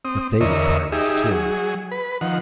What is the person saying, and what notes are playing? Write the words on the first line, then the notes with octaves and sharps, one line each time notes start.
But they were Pyrrans, too.
C4 D#6
E2 D3 A#4 C#5 D#5 E5
D#4 G4 G#4 E5
F#3 G#4
B4
D#3 F3 F#5